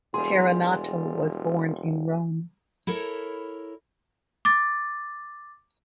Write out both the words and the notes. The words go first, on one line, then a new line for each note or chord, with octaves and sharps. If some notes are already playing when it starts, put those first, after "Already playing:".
Terranato was born in Rome.
E1 G3 G#4 C6
E4 A4 A#4 C#5
D6 A6